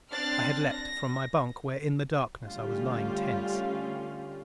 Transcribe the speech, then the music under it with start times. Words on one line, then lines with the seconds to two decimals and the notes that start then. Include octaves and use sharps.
I had leaped from my bunk where in the darkness I was lying tense.
0.12 C4 D4 F6 F#6 A6
0.69 A#6
2.43 D3 G3 A3 C#4 F4 G4